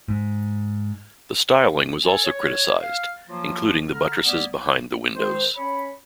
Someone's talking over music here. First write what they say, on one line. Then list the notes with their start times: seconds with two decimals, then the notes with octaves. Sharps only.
The styling was also criticised, including the buttresses behind the windows.
0.08 G#2
2.03 A4 G#5
2.24 C#5
2.81 F5
3.28 F3 F#3 A#3 F4
3.91 D3 A#5 F6
4.24 G3 A#3 B3
5.15 D#3 G#3 C5
5.56 C#4 C#5 B5